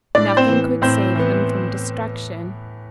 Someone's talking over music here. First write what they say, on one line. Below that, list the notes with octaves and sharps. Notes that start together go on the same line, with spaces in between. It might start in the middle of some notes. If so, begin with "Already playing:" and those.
Nothing could save them from destruction.
A2 D4 D5
C4 C5
E3 B3
A2 C4 C5
E3 B3